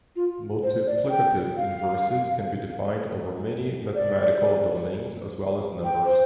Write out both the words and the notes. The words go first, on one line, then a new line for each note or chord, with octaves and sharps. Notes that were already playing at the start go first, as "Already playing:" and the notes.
Multiplicative inverses can be defined over many mathematical domains as well as numbers.
F4
C5
D5
G5
F5
D5
G5
C5